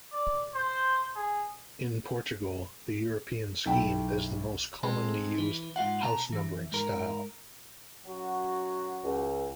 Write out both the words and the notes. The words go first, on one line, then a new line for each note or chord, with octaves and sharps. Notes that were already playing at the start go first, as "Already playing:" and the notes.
In Portugal, the European scheme is the most commonly used house numbering style.
D5
C5
G#4
B1 E4 G5 A5
G#3 C4 A4
E3
G#2 F4 F5 F#5
B2 A5 A#5
E3
G#2 A#4
F#2 F#3 F#4
C#2